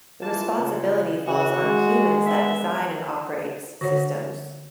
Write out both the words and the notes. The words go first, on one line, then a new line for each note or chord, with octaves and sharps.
The responsibility falls on humans that design and operates systems.
E3 A#3 F4 A5
C#3
C#3 F#4
G#3
B3 E5
D3 F#4 C5 C#5 F#5